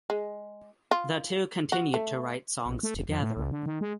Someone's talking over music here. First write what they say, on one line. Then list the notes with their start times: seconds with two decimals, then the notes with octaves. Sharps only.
The two continued to write songs together.
0.10 G#3
0.91 F4
1.72 F#4
1.94 A3
2.66 A#1
2.83 A3
2.94 F1
3.09 F2
3.22 A2
3.37 C#2
3.51 D3
3.66 D#3
3.81 G#3